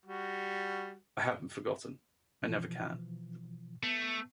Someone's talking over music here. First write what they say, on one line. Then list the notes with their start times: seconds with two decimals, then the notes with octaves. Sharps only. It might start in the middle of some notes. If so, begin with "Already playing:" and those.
I haven't forgotten, I never can.
0.06 G3 F#4
2.42 B2 E3 F3
3.83 A3 B3